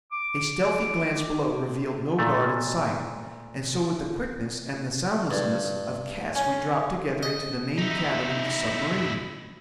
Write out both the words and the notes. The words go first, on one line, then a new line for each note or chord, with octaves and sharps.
A stealthy glance below revealed no guard in sight, and so with the quickness and the soundlessness of cats we dropped together into the main cabin of the submarine.
D6
A#2 A3
G2
C#4
D#5
D#4 E4